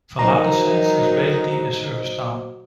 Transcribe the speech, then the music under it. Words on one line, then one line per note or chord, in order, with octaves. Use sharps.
Viladecans is basically a service town.
D#3 F#3 D#4 F#4 C5 D#5 A#5